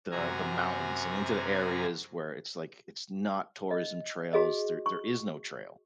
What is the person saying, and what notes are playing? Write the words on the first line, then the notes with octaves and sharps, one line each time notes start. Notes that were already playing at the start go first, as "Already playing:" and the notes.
the, the mountains and into the areas where it's like it's not tourism trails, there there is no trail.
F#2 C3 F#4 G#5 A#5
D#5
F#4 G#4 D#5
C#6